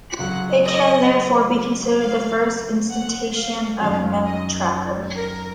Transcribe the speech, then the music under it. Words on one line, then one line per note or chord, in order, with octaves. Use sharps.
It can, therefore, be considered the first instantiation of a memetracker.
C#2 C#3 F#3 F#5
D#5
F5
F#5
F5
F#2 D#3 F#3 C#4 F5
D#5
A#4